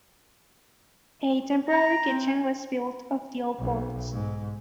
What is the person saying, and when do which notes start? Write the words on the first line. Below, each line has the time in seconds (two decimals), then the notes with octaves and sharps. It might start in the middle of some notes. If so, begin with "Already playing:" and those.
A temporary kitchen was built of deal boards.
1.69 A#5
2.07 C4
3.59 B1
4.12 G#2